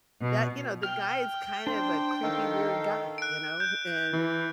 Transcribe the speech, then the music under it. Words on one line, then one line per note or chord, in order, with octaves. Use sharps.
that you know, the guy is kind of a creepy weird guy, you know? H And
B2
G5 F6
D4 C5
D#3 A4 F5
F#6 D7
G6
E3